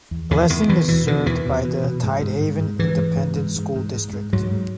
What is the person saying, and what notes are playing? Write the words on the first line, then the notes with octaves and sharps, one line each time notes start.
Blessing is served by the Tidehaven Independent School District.
E2
E2 D#3
E2 D#3
E2 E3
B2 E3
B2 D#3
E2 E3
B2
B2
B2
G#2
G#2
G#2
G#2
G#2 E3
G#2
G#2
G#2
G#2
G#2
G#2
G#2
G#2 F#3
G#2